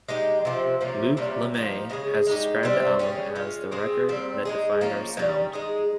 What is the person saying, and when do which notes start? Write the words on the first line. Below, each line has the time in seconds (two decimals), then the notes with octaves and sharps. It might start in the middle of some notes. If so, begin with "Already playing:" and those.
Luc Lemay has described the album as the record that defined our sound.
0.08 G#3 D#4 G4
0.45 C3 F3 C4
0.81 C3 F3 A#3 C#4
1.17 C3 G3 A#3 C#4
1.54 F3 A#3 D#4 G4
1.90 C#3 G#3 C#4 G#4
2.27 G#3 D#4 G4
2.63 C3 G3 C4
2.99 G3 C#4 F4 G#4
3.35 G#3 C#4 F4
3.72 G#3 C4 F4 G#4
4.09 A#2 G3 C4
4.45 G#3 D#4 G#4
4.81 F3 A#3 C#4
5.17 D#3 G3 C#4
5.53 G#3 D#4 G#4